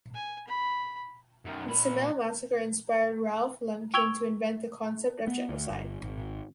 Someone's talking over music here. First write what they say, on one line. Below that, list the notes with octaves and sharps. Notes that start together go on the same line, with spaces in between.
The Simele massacre inspired Raphael Lemkin to invent the concept of genocide.
G#5
B5
F#2 D#3
A#2 B5
G5 C#6 E6 G#6 F7 G7
B3
D2
G1
G#1